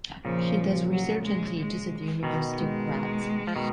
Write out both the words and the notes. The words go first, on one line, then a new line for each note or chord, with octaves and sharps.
He does research and teaches at the University of Graz.
A#2 C#3 F3
F#3
G#3
G#3
B2 D#3
G#3
F3
B2 D#3